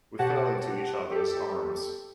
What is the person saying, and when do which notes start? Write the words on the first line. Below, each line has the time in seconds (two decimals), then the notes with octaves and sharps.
We fell into each other's arms.
0.19 B2 G4 C#5 F#5 A5 A#6
1.11 G4 A4